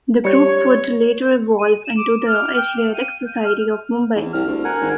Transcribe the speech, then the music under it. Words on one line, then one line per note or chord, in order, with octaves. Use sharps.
The group would later evolve into the Asiatic Society of Mumbai.
G3 C#5 C#7
D#7
E7
D6
F6
G5
F5
D#7
G6
F6
E2
C2 F6
D2
A#4 F#5 G#5
G#1